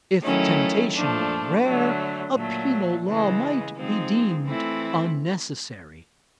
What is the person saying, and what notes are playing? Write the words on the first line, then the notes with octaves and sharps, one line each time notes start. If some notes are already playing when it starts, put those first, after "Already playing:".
If temptation were rare, a penal law might be deemed unnecessary.
D#3 F#3 A3 C#4 E4
A#2 F3 A3 D4
D3 F#3 A3
A#2 F#3 A3
C#3 E3 G#3
F3 G#3 C4 D#4
E3 A3 C4 E4